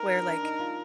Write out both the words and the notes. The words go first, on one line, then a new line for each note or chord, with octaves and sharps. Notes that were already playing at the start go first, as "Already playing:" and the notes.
where, like,
Already playing: D#4 A#4
D4
D4
D#4
F4